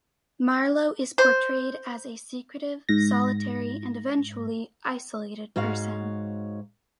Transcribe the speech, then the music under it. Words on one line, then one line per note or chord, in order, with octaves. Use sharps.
Marlowe is portrayed as a secretive, solitary and eventually isolated person.
C5
G#2 A#6
G#2 F#4 C#5 F5